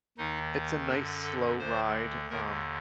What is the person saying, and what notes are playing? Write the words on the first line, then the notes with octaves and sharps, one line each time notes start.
it's a nice slow ride, um,
D#2 D#3 D#4
F#2 D3 D4
A4
D2 D3 C5
D#2 D3 A#4